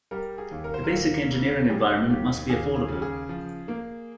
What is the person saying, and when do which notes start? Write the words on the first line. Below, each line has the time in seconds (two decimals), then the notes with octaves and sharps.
The basic engineering environment must be affordable.
0.11 G3 A#4
0.38 G#4
0.51 D#2
0.64 A#4
0.74 C5
0.84 A#4
0.90 D#2
1.30 C#3
1.70 G3 G#4
2.10 D#2 G4
2.49 D#2 G#4
2.76 G#4
2.88 C#3
3.02 G#4
3.29 F3
3.68 A#3